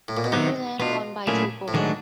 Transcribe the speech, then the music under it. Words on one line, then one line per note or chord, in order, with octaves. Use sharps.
Maryland won by two goals.
A2
A#2
B2
C3 D#3 F#3 B3 D#4
B2 B3 D4 F4
A#2 F#3 A3 C#4 E4 G#4
A2
G#2 D#3 F#3 A3 D4